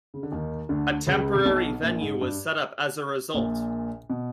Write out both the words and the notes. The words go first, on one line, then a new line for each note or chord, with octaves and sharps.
A temporary venue was set up as a result.
C#3
D3
D#2 D#3
D2 D3
C#2 C#3
C3
B1 B2
A#1 A#2
G#2
G2
A#1 A#2
B2